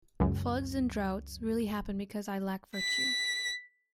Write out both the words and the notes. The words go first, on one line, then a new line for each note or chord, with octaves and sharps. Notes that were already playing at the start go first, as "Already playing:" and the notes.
Floods and droughts really happen because I lack virtue.
C#2 F#2
B6